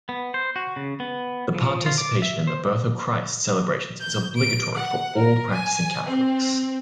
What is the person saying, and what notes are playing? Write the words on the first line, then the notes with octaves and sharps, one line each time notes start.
The participation in the Birth of Christ celebrations is obligatory for all practicing Catholics.
B3
C5
F#4
C#3
B3
F3
F4
D6
E5
C5
G6
D7
F#5
A#4
G#5
C4